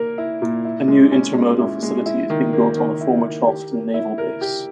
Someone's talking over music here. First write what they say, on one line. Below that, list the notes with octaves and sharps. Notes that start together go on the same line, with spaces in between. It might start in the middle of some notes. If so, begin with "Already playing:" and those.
A new intermodal facility is being built on the former Charleston Naval Base.
Already playing: A#3 A#4
E4
A#2
E4
G#3
C#4
G#3
E4
G#3
E4
D#3
A#3
D#3
E4
D#3
G4
A#3
E4
A#4
G4